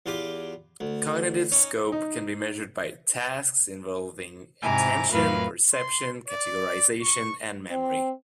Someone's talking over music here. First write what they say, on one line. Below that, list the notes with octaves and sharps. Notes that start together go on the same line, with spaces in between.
Cognitive scope can be measured by tasks involving attention, perception, categorization, and memory.
E2 F4 G4 D6
D2
C#4 D#4
D#4
G#2 C3 E4 G#5 A#5 D6
F2 A2 F#3 A#4 B4 F5
C6
D5
C#6
C4